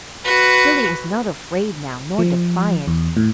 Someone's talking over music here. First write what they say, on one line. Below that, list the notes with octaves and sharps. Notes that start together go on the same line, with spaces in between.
Billy was not afraid now, nor defiant.
F#4 B4
F3
E2
A2